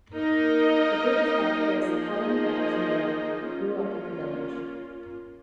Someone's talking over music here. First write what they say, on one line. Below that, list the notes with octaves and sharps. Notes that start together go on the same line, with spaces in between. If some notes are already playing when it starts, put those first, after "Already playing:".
The British actress Helen Baxendale grew up in the village.
A#3 D#4 A#4 D#5
F3 A#3 D#4 G#4 D#5
A#3 C#4 F4